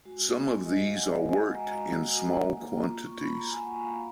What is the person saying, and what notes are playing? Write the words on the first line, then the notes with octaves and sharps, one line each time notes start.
Some of these are worked in small quantities.
G#3 F#4
G#3
G#3 D#5
F5
G#3 F#5
F#5
F#4 G#5
G#3 A#5
F#4
F#4
A#3
F4
A#3 C#6
B5
A#3 A#5
G#5
F4 F#5
F5
A#3